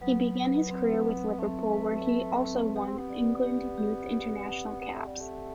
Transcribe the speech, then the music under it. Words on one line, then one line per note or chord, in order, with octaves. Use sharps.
He began his career with Liverpool, where he also won England Youth international caps.
F#3 B3
B4
C4
C4
A3 C4
B4
B4
C4
B3 G4
C4
B3
D5
G4
G4
G4
F#5
B3 F#5
A3
G3
G4
A3